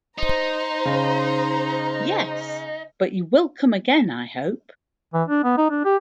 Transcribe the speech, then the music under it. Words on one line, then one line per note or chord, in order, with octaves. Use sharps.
Yes; but you will come again, I hope?
D#4 C5 A#5
C#3
E3
D4
B3
D#4
D4
G4